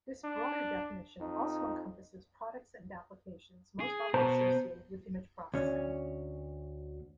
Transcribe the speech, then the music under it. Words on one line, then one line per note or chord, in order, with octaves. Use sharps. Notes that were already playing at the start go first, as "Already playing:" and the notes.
This broader definition also encompasses products and applications most often associated with image processing.
D4
F2 D#4
G#4
B2 B3 C5 A5 A#5
D2 C#4